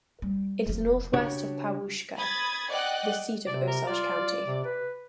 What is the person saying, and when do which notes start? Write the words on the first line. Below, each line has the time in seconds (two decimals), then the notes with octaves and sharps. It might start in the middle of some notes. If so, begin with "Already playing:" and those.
It is northwest of Pawhuska, the seat of Osage County.
0.22 G3
0.66 F1 F3
1.14 C#3 D4 F#4 G4 C#5
2.16 B5 D#6 G#6 A6
2.70 D5 D#5 F#5 G5 F#6
3.47 C3 D5
3.67 A#4
3.87 F4 D5
4.46 C3
4.65 B4